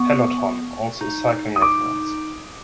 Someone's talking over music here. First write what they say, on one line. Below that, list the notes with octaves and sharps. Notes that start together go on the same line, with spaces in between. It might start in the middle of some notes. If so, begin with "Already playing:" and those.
"Peloton" - also a cycling reference.
Already playing: B3 C#6
D#4
D#6
D6